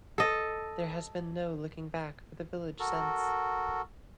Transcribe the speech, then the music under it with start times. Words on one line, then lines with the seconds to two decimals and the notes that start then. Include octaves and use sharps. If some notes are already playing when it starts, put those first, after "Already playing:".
There has been no looking back for the village since.
0.18 A4 D#5
2.79 F#4 A4 A#4